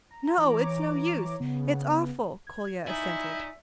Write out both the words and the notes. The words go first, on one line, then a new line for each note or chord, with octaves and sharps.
"No, it's no use, it's awful," Kolya assented.
A#5
E3 C#5 A#5 D6
C#3 B3
G#6
D#4 E4 D5 E5 G#5